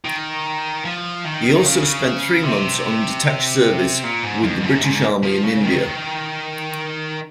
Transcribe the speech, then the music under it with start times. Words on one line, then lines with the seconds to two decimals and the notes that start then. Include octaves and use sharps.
He also spent three months on detached service with the British Army in India.
0.05 D#3
0.85 F3
1.25 D#3
1.65 C#3
2.44 C3
4.03 A#2
4.23 G#2
4.43 F2
4.64 F#2
4.83 G#2
5.23 F3
5.43 C#3
5.63 D#3